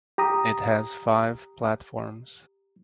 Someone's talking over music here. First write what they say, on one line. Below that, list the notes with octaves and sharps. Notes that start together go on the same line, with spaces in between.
It has five platforms.
G4 A#5 D#6